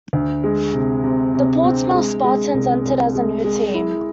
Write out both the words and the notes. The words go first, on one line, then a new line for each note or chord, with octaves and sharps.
The Portsmouth Spartans entered as a new team.
D2
G#3
C3
C3
C3
C4
G#3
G#3
C2
C2
G#3
G#3
E4